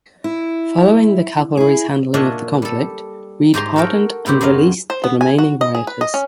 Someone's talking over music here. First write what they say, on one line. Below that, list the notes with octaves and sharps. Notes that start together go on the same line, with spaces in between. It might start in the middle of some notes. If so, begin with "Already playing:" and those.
Following the cavalry's handling of the conflict, Reed pardoned and released the remaining rioters.
E4
E4 G#4
A#2 D4 C#5 D#5 E5 F#5
G3 A4
G#2 G4 A#5 C6
F#4 A4 A#4 G5
A2 B3 C4 G4
F#2 F#3 C4 D#5 F5
C5
B3
G#5
F#4
D#5
G#4
B4
D#5
C#4